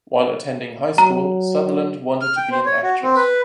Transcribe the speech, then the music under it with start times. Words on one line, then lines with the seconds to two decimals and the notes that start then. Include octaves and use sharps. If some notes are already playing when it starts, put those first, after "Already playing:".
While attending high school Sutherland wanted to be an actress.
0.98 F#3 A#5
2.21 F6
2.37 G5
2.51 C5
2.66 C#5
2.83 F#4
3.02 C4
3.16 B4